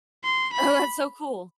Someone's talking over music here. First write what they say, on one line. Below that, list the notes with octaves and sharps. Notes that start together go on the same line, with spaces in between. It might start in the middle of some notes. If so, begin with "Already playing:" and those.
Oh, that's so cool.
C6
B5